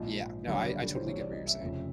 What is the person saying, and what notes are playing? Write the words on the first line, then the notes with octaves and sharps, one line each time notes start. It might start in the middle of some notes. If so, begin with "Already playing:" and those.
Yeah, no, I I totally get what you're saying.
Already playing: A#1 G#2 F3 D#5
F#1 F#2 D3 G3 C#5
D5
C5
C2 C3 E3 C#5
D5
D#5
E5
F1 F2 C#3